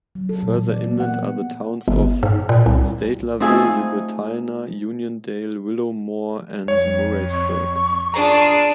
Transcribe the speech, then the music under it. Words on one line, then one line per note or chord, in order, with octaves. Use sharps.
Further inland are the towns of Steytlerville, Joubertina, Uniondale, Willowmore and Murraysburg.
F#3
A4
A#2
E3
D5
A#3
F#5
B3
G1
G#2
A#2
C2
A3 C4 D#4 F4 G#4
F2 C#5
C#6
D4 F4 G#4 A#5